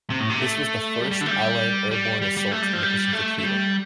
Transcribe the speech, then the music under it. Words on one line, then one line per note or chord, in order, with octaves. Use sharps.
This was the first Allied airborne assault in the Pacific Theater.
C3
A2
C3
A3
G3
G3
D3
A3
G3
G3
G3
G3
A3
G3
F3
G3
A3
A3
G3